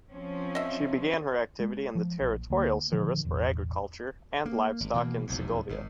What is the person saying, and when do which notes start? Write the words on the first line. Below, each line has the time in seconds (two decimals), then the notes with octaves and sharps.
She began her activity in the territorial service for agriculture and livestock in Segovia.
0.12 F3 C4 C#4
0.55 D#5 E5
1.60 G#3
1.95 F3
2.21 A#1
2.50 D2 A#3
2.92 A#2 D3 D#3 F3
3.25 E1 A1
4.45 A#3
4.80 G#1
4.94 B2 E3 G3 A#3
5.27 F1 B1 E2 G#2
5.69 G#1 G#2